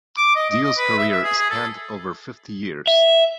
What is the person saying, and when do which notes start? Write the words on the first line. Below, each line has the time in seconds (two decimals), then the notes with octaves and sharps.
Dio's career spanned over fifty years.
0.17 D6
0.36 D#5
0.50 D#5
0.64 D#5
0.78 B4
0.98 E5
1.12 E5
1.23 G#4
1.38 G#4
1.50 A4
2.87 E5